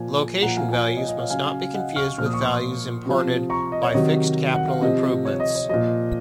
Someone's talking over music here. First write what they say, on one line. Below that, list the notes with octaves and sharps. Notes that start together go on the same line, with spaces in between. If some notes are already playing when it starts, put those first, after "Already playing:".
Location values must not be confused with values imparted by fixed capital improvements.
Already playing: A#2 F3 G#5
A#2 F3 F#5 A#5
F5 G#5
F5 G#5
C#5
D#5
D#5
C#5 F5
C#3 F#3 F5 G#5
D#5 F#5
C#6 F6
A#2 F3 F6
D#6
C#6
C6 D#6
C3 F3
A#5 C#6
D#5
C#5
C3 D#3 F#3 D#5
F#5
F5
C3 F3 D#5
C#5
D#5
C#5
A#2 F3 D#5